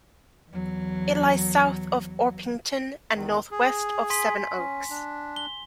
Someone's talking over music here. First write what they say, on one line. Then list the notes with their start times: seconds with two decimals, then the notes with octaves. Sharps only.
It lies south of Orpington and north west of Sevenoaks.
0.50 E2 F#3
3.15 E2 D#3
3.51 G#4
4.10 G#5 C6 B6
4.58 C#4
4.90 D4
5.36 G7